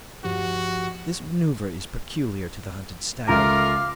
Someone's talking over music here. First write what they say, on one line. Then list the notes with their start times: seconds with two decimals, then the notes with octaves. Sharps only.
This manoeuvre is peculiar to the hunted stag.
0.24 G2 F3 F#4 G4
3.28 C#2 A3 F4 A#4 F5 A#5 D6 F6